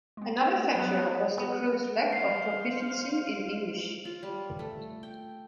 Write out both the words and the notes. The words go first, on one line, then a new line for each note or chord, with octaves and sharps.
Another factor was the crew's lack of proficiency in English.
G#3 B3
F#3 G3 B3 C#4
B3
C5 F5 C7
F4
G3
A3
G5